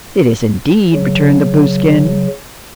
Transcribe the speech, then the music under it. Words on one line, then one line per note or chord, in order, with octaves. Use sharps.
"It is, indeed," returned the Blueskin.
C#3 F#3